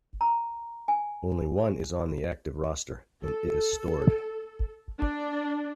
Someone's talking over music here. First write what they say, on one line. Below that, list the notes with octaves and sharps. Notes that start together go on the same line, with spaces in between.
Only one is on the active roster, and it is stored.
A#5
G#5
A4
D4